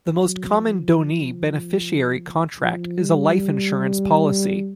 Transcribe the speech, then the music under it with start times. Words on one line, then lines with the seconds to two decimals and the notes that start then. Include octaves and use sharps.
The most common donee beneficiary contract is a life insurance policy.
0.23 F#3
0.62 F3
2.60 F3
2.99 G3